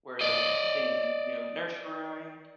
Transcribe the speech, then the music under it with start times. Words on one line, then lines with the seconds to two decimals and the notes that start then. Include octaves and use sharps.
where they sing, you know, nursery rhyme
0.21 D5 D#5